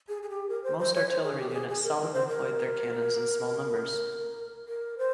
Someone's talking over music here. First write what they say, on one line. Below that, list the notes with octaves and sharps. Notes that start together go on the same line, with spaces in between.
Most artillery units seldom employed their cannons in small numbers.
G#4
G#4
G4
A#4
C5
C5
C#5
C5
G#4
G4
A#4
G#4
G#4
A#4
A#4
C5
A#4
A#4
C5